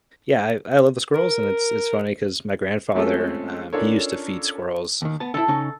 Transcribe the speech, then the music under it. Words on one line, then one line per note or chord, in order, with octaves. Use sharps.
yeah, I I love the squirrels, and it's it's funny 'cause my grandfather, um, he used to feed squirrels,
A#4
G#3 A3 C4 C#4 F4 A4
C#4 D4 F4 A4 A#4 C#5
D#2 D#3
B3 A5
D3 E4 A4
C#3 C#4 D#4